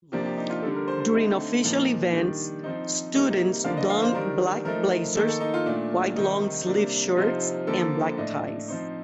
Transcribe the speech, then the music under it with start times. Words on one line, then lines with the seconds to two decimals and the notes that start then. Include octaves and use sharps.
During official events, students don black blazers, white long-sleeved shirts and black ties.
0.12 C3 F3 A#3 D4 G4
0.25 G4
0.38 D#4
0.50 F4
0.62 D3 G3 D4 A4
0.75 A#4
0.88 C5
1.00 C5
1.13 D3 A3 C4 D#4
1.63 A#2 F3 A#3 D#4
2.13 D#3 G3 D4 D5
2.64 F3 C4 D#4
3.14 C3 G3 A#3 D#4 D#5
3.31 D#5
3.64 D3 F3 A#3 D4 F5
3.77 D#5
3.90 F5
4.02 C5
4.15 D#3 G3 D4 A#4
4.65 F3 A3 D#4 A#4
5.15 D#3 A#3 D#4 A4
5.28 A4
5.41 D#4
5.54 F4
5.66 A#2 A3 D4
6.16 C3 D#3 G3 D#4
6.67 C3 G3 A#3 D4
7.17 C3 F3 C4 D#4 F4
7.67 D3 F3 A#3 A4
8.17 A2 A3 D4 D#5
8.68 F3 C4 D#4